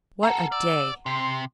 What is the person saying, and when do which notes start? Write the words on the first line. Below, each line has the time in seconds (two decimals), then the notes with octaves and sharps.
What a day!
0.23 G#4 A4 F#5 A#5
0.52 D5 E6
1.06 C3 C6